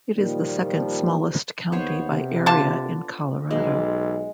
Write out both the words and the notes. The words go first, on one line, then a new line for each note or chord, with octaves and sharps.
It is the second-smallest county by area in Colorado.
A#2 D#3 F3 G3
D#2 B3 C5 C#5
C3
D3 F4 A5
B1 G#3